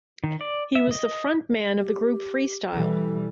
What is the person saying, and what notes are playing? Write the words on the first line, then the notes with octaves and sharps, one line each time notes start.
He was the frontman of the group Freestyle.
D#3
D5
E5
D#5
G4
B2 E3 G3 A4